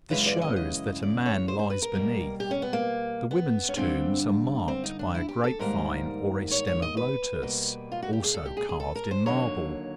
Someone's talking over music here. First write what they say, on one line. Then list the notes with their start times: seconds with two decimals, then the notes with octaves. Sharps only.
This shows that a man lies beneath; the women's tombs are marked by a grapevine or a stem of lotus, also carved in marble.
0.10 F#2 C#3 E3 G#3 B4
0.26 D5
0.41 D#5
0.56 D#5
1.02 D5
1.26 C#5
1.48 C5
1.59 C5
1.70 B4
1.82 A#4
1.94 B2 G3 A#3
2.40 G4
2.51 C#4
2.62 B3
2.73 A#3
3.31 B3
3.69 C#4
3.77 G2 D3 G3 C4
4.68 C4
4.84 D#4
4.99 D4
5.15 E4
5.29 G4
5.44 A4
5.59 G#2 D#3 G3 A#3 A#4
6.51 C#5
6.67 C#5
6.82 D#5
6.97 B4
7.42 B2 G3 A#3
7.92 F4
8.03 F#4
8.13 G4
8.24 G#4
8.34 A4
8.46 G4
8.57 G#4
8.69 G#4
8.80 A4
8.96 A#4
9.11 C5
9.26 D#2 D3 F#3 A#3 C#5